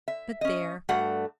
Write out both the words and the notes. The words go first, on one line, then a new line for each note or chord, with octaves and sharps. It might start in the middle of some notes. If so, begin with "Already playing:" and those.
But there!
E5
C#4 D#5
G2 A3 F#4 F#5